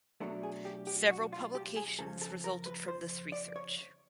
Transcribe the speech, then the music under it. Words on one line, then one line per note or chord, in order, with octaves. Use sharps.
Several publications resulted from this research.
B2 F#3 A3 D4 A4
G#4
G4
G4
F#4
F4
G4
G#4
F2 C#3 F3 A4
A4
A#4
B4
C5
D5
C#5